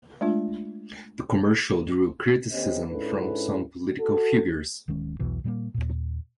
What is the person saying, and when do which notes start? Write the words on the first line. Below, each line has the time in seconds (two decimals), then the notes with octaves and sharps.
The commercial drew criticism from some political figures.
0.21 G#3 A3 D4 F4
2.52 D2 B3 C#4 G4 C5 D#5
2.90 G#2 C#4 D4 E4 A4 B4
3.99 F#4 A4
4.88 D1 D#3 G#3 C#4
5.19 B1 E2 B2 E3
5.44 A#2 G3 G#3 A#3
5.74 D#2 A#2